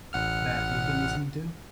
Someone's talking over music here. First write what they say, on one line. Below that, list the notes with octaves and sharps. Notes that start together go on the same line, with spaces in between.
that you've been listening to?
A1 F#5 F6